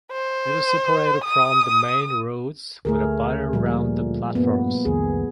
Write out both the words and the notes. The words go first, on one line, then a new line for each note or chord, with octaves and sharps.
It is separated from the main roads with a barrier around the platforms.
C5
D#6
D2 A3 G#4 A#4
A#2 F3 G3
G2 A#3 B3
C2 F2 D#3 G#4